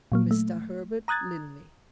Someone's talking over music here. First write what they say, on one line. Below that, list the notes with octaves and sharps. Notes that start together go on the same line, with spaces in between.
Mr. Herbert Linley.
A#2 F#3 A#3
A3
A#5 D#6 F#6 G#6 A6